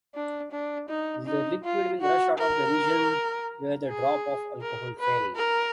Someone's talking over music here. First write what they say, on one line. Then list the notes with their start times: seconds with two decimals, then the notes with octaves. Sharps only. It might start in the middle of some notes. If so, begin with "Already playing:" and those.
The liquid will rush out of the region where the drop of alcohol fell.
0.15 D4
0.51 D4
0.89 D#4
1.27 D#4
1.64 F4
2.01 F#4
2.38 A#4
3.87 G#4
4.61 A#4
4.99 B4
5.36 A#4